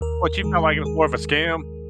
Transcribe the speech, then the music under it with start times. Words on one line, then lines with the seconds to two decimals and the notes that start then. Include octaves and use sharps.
But you felt like it was more of a scam?
0.01 D#2 A#4
0.43 D#3 G#3 G#4
0.86 G#4